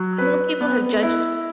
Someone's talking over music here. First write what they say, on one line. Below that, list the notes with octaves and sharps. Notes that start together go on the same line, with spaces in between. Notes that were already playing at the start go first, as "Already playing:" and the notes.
I know people have judged
Already playing: F#3
B4
B3
E4